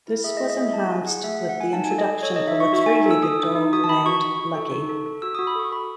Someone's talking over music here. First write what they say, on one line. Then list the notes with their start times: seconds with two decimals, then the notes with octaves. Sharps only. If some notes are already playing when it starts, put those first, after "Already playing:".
This was enhanced with the introduction of a three-legged dog named Lucky.
0.08 E4
0.24 G#4 E5
0.37 D#5
0.41 A3
0.50 D#5
0.57 E4 E5
0.73 E4 A5
0.90 G#4 G#5
1.07 G#4 F#5
1.24 A3 E5
1.36 A3 F#5
1.49 F#5
1.56 A3 G#5
1.73 D#4 A5
1.85 G#5
1.91 A4
1.98 D#5
2.07 A4
2.23 A4 C#5
2.36 D#4 D#5
2.48 E5
2.56 D#4 C#6
2.73 F#4 E5
2.86 D#4 G#5
3.06 A4 E6
3.23 A4 D#6
3.39 D#4
3.56 D#4
3.73 F#4 D#6
3.84 A5
3.89 D#4 B5
4.06 F#4 C#6
4.23 F#4
4.40 F#4
4.55 A4
4.72 D#4
4.89 A4
5.06 A4
5.22 F#4 E6
5.35 F#4 D#6
5.47 B5
5.55 A4 C#6
5.72 A4 B5